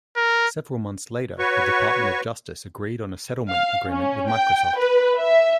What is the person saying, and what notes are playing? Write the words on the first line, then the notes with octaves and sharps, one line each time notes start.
Several months later the Department of Justice agreed on a settlement agreement with Microsoft.
A#4
F#4 B4 C#5 C#6
F5
C#4
G5
B4
E5